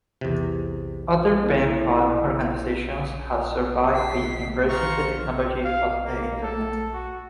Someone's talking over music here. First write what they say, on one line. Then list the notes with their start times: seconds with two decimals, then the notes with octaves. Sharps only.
Other pen pal organizations have survived by embracing the technology of the Internet.
0.21 E2 C3
1.43 A#3 C4 E4 A4
3.94 B6 C7
4.68 F4 C5 A#5 C#6 C#7
5.64 F5
6.05 A#3
6.43 A4
6.93 F#4